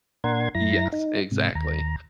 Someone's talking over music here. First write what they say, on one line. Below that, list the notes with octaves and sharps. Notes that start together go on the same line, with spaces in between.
Yes, exactly,
A#2 D4 A#4 F#5 C6 G#6
F#2 E4 A#5 A#6
D#4
G#2 C3
D#2 A#5